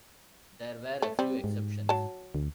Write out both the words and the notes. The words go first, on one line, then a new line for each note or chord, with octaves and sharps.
There were a few exceptions.
A3
G3 C4
G#2
F#3 A5
D2